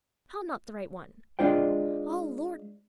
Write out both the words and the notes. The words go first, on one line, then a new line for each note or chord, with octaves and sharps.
How not the right one?... O Lord!
G#3 D4 F4 C5 G5